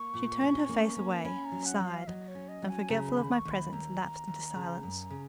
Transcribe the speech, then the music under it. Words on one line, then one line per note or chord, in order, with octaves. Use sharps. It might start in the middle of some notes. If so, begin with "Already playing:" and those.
She turned her face away, sighed, and forgetful of my presence lapsed into silence.
Already playing: A#3 C#6
A#2
C#4
A#3
C#4
C#4 B5
A#5
F#3
F#5
F#3
F5
F#3 D#5
C#5
C#4
D#5
F#3
G#5
C#3 A#5
B5
D#2
C#6
D#2
B5
D#2 A#5
D#2
D#2
C#3
F#2
C#3